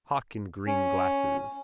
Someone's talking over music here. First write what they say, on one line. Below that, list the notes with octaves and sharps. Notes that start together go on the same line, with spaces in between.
Hock in green glasses.
C#4